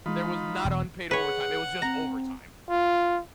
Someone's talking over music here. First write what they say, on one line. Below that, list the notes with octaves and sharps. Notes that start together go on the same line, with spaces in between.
There was not unpaid overtime, it was just overtime.
E3 G#3 D#4 F4 B5
E1
G#4 B4 C#5 F#5
C4 A#5
F4